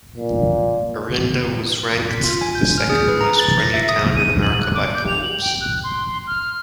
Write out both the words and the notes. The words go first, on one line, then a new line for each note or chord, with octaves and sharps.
Orinda was ranked the second most friendly town in America by Forbes.
A#2
B6
F4
G#5
G6
F6
G#4
B4
A#5
A6
A#6
E5
D#6
D#7
F#7
F#6
D6
G6
F7
F#7
G5
F#6
C6
F6